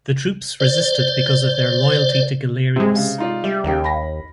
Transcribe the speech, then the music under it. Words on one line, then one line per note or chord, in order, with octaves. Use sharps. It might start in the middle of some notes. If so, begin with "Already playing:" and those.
The troops resisted because of their loyalty to Galerius.
C5 D5
C3 G#3
C#3
D#4 F4 D5
G3 E5
D#2 C#3 D#4 G4
B5 A#6